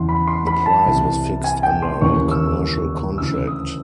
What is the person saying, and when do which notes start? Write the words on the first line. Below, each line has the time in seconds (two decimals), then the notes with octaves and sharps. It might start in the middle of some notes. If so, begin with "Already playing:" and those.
The price was fixed under a commercial contract.
Already playing: E2 C#3 E3 C6
0.09 B5
0.28 C6
0.47 B5
0.66 A5
0.86 C2 C3 E3
1.44 G#5
1.63 G5
1.82 C6
2.01 D#2 C#3 E3 C#6
2.31 E6
3.18 D2 C#3 E3 E6
3.47 D#6